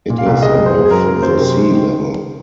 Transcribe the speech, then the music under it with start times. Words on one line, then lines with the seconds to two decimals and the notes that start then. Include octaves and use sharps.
It is above the sea level.
0.10 A#2
0.18 F5
0.26 C2
0.43 C#3 D#5
0.58 F#2
0.66 C5
0.75 G#3
0.85 G#4
0.91 F#2 A#4
1.06 C#3 A#4
1.22 F#2 C5
1.39 C3
1.54 G#3
1.71 D#3